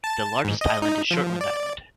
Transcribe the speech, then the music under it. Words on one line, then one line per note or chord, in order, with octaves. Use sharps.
The largest island is Shortland Island.
A5
G#2
D#5
D#4
F3
D5